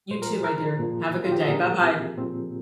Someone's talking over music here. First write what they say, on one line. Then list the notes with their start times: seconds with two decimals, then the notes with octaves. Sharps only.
You too, my dear. Have a good day. Bye-bye.
0.11 A#2 F3 C5
0.22 A#4
0.33 G#4
0.44 A#4
0.79 A#2 F3
1.24 F4
1.32 G4
1.40 G#4
1.49 A#2 F3 A#4
1.83 C4
2.18 A#2 F3 C4